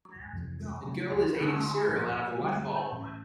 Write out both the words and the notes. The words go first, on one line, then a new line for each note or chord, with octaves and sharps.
A girl is eating cereal out of a white bowl.
F2 C3 E3
C#3 F#3 A3
D3 F3 A#3 D4
A2 F3 A#3
D3 G3 C4
A2 E3 A3 C#4